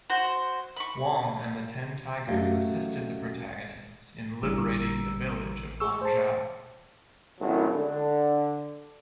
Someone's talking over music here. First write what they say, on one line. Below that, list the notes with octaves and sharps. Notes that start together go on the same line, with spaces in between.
Wong and the Ten Tigers assisted the protagonists in liberating the village of Lanzhou.
F#4 C5
B5 C#6
F#2 F#3 A3 G4 D#5 F5
A1 D3 E3 G3 A#5 E6
G#4 C#6 E6
C5 A5
G#1 F#2 A2 F#3 E4
D3